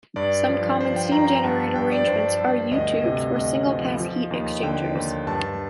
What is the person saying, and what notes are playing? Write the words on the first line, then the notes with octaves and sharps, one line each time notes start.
Some common steam generator arrangements are u-tubes or single pass heat exchangers.
G2 D5
F3
F3 C5
G5
G2 A#5
A#5
G2 A5
A5
G2 G5
D5
G2 C5
G2
D2 D#5
C3
D2 D#5
F3
F3
D#2
D3 G5
D#2
G2 A5